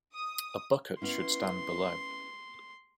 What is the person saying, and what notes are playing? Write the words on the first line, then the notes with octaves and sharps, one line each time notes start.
A bucket should stand below...
D#6
B3 C#4 E4 C6